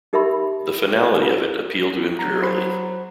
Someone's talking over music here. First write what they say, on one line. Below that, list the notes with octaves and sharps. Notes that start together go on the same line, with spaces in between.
The finality of it appealed to him drearily.
D#4 G4 A#4 E5 B5 C6
F#3 A#5
C5 B5